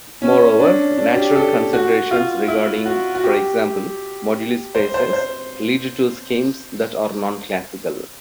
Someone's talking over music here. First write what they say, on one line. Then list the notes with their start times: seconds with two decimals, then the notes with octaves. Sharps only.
Moreover, natural considerations regarding, for example, moduli spaces, lead to schemes that are "non-classical".
0.22 C#4
0.59 D4
0.98 D4
1.16 G4
1.36 A4
1.73 F#4
2.11 F4
2.48 E4
2.85 F#4
3.15 F#4
3.24 G4
4.75 C5
4.94 C5
5.13 C5